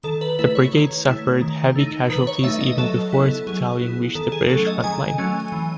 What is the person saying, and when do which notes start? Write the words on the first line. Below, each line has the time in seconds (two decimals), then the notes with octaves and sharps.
The brigade suffered heavy casualties even before its battalions reached the British front-line.
0.04 D#3 A4
0.21 B4
0.39 A3 E4 B4
0.55 C#5
0.73 D#3
1.07 A3 E4
1.41 D#3
1.76 A3 D#4
2.10 D#3 B4
2.27 C#5
2.44 A3 D#4 E5
2.61 D#5
2.78 F#3 A4
3.12 B3 E4
3.47 F#3 G#4
3.81 B3 E4
4.15 D#3 A4
4.32 G#4
4.50 F#3 A3 C#4 A4
4.67 D#5
4.84 D#3 G#5
5.18 F#3 A3 C#4
5.52 E3